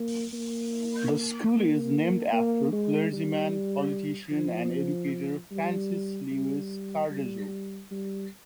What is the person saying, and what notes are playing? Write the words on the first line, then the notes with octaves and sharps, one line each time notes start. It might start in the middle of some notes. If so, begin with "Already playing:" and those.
The school is named after clergyman, politician and educator Francis Lewis Cardozo.
Already playing: A#3
A#3
A#3
A#3
G#3
G3
F3
G3
G3
G3
G3